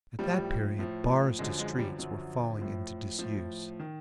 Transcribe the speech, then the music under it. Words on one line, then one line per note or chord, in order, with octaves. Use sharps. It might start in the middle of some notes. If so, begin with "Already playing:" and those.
At that period bars to streets were falling into disuse.
A2 F3 G3
A2 F3
F#2 D3 F3 G#3
G#3
G3
F#2 D3 F3 F#3
A2 F3
A2 F3
D#3